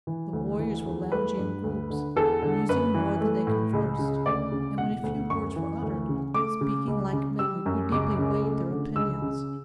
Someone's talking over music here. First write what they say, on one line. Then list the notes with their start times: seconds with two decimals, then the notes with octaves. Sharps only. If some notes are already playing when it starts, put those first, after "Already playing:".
The warriors were lounging in groups, musing more than they conversed and when a few words were uttered, speaking like men who deeply weighed their opinions.
0.07 E3
0.33 D2
0.59 E3
0.86 E2
1.12 A3 B4
1.38 G2
1.64 D2
1.90 D3
2.16 E2 A4
2.42 D3
2.69 F#2 B4
2.94 E3
3.21 A3
3.47 A2
3.73 C#2
3.99 C#3
4.26 D2 D5
4.52 C#3
4.78 E1 F#5
5.04 D2
5.30 F#2 C#6
5.56 E3
5.82 D2
6.09 C#3
6.34 A3 D6
6.61 C#3
6.87 C#2
7.13 C#3
7.39 G3 E6
7.66 F#2
7.92 C#2 D6
8.18 C#3
8.44 A3
8.70 D3
8.96 C#2 E6
9.22 C#3